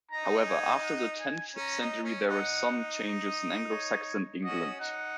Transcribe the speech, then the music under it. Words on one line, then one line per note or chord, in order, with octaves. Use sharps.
However, after the tenth century there were some changes in Anglo-Saxon England.
D#4 A#5
G#5
F#5
G#5
C#4 A#5
D#4
C#4
D#4 F#5
D#5
C#5
C#4 F#4 D#5
D#4 F#5